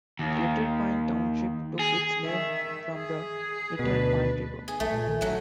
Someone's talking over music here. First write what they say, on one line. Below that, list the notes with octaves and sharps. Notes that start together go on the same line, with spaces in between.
Little Pine Township took its name from the Little Pine River.
D#2
G#4
D#3 E5
G#4
D2 B2 D4 B4
G#4
B1 A3
A#2
D#3
A1 F#3 A3